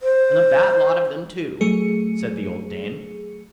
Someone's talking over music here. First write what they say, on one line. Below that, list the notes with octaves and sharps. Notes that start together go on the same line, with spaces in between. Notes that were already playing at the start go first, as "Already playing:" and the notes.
And a bad lot of them too', said the old dame.
C5
F#3 A3 G#4 C#7